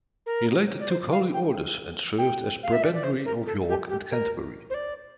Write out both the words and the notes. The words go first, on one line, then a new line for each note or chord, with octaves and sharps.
He later took holy orders and served as Prebendary of York and Canterbury.
A#4
D5
C5
F5
G5
G5
F5
E5
D5
D5
C5
A#4
A4
G4
G4
A#4
C5
D5